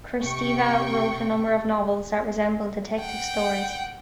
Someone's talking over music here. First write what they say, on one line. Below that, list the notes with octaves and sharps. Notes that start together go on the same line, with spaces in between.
Kristeva wrote a number of novels that resemble detective stories.
C3 G5 C#6
F#5 G5